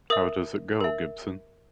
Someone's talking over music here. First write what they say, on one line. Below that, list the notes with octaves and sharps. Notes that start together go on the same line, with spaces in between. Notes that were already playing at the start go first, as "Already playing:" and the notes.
How does it go, Gibson?
A#4 E5 D#6
A#4 E5